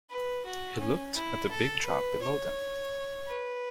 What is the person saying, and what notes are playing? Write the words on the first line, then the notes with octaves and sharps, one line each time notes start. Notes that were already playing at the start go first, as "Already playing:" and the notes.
He looked at the big drop below them.
B4
F#4
C#4
E4
A4
B4
C#5
B4